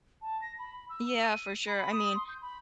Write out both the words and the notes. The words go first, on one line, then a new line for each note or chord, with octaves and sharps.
Yeah, for sure, I mean,
A5
A#6
B5
E6
D#7
B5
D#6
C6
G6
B5